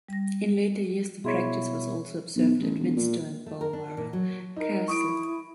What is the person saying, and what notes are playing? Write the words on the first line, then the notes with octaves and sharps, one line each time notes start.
In later years the practice was also observed at Windsor and Balmoral Castle.
G3 A#6
B2 E4 G#4 C#5 C6
B1
A1
E1
A#2
A3
A#4
D4
A#2
F#3
D#4 A#4
E4 C#6 D#6 D7